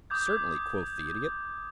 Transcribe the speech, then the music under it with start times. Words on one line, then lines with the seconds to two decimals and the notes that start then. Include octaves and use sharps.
"Certainly," quoth the Idiot.
0.10 D6 D#6 G6 G#6